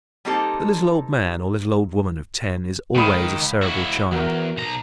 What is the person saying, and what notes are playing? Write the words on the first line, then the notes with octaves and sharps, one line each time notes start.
The "little old man" or "little old woman" of ten is always a Cerebral child.
G3 A#3 C4 D#4 G4 A4
C#2 D#3 B5 D#6
E4 F#4
E2 F#4 A#4
B1 A#5